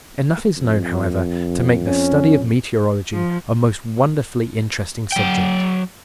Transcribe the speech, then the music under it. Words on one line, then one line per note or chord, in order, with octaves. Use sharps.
Enough is known, however, to make the study of meteorology a most wonderfully interesting subject.
F2
C#4
F3
F#3 G5